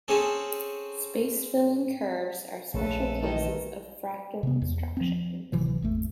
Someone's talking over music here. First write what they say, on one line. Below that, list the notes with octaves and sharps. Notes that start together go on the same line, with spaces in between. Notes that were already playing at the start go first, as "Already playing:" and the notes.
Space-filling curves are special cases of fractal constructions.
C4 C#4 G#4 A4
A#1 C#3 A3 A4 B4
D#3 E3 A4 D#5
C3 B3
E2
F3 C4
D1 C3 E3 F#3
G#1 E2 A3